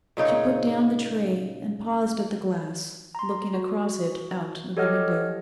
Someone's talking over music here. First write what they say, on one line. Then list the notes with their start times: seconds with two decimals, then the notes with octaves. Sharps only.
She put down the tray, and paused at the glass, looking across it out of the window.
0.17 A#2 C#3 D#4 C#5
3.15 A#5 C6
3.54 F#4
4.77 G4 A4 C#5 D#5 F#5 F6